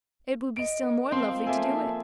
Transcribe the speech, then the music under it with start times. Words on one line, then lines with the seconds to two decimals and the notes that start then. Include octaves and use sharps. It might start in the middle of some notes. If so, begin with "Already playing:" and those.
"It will be still more lovely to do it."
0.56 D#5 D7
0.82 D#3
1.12 F3 C4 C6
1.47 A#3 G#4 A4 E5 G#5